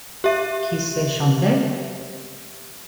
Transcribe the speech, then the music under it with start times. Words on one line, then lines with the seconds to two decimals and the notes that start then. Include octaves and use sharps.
Qui sait chanter?
0.24 G4 E5